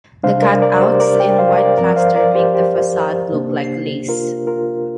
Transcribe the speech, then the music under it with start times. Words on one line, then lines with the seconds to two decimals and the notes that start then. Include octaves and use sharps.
The cutouts in white plaster make the facade look like lace.
0.23 C3 G3 D4 C5 F5
0.42 A#4 D5
0.62 A#4 D5
0.77 D5
0.81 G4 C5
1.00 A#4 D5
1.20 D5 G5
1.39 C5 F5
1.58 A#4 D5
1.77 G2 F3 C4 A#4 D5
1.96 C5 F5
2.16 A#4 D5
2.35 G4 C5
2.55 G4 C5
3.32 C3 A#3 D4
4.08 F4 A#4
4.47 F4 A#4